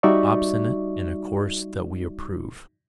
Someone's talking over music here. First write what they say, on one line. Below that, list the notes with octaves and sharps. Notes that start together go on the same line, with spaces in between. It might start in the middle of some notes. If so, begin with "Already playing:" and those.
Obstinate in a course that we approve.
G3 D#4 F#4 D5 E5 C#6